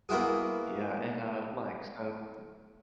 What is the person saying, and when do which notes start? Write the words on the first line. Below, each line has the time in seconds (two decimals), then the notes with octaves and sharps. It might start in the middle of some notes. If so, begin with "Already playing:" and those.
Yeah. And, uh like, so
0.09 A#3 B3 E4 F#4 G#4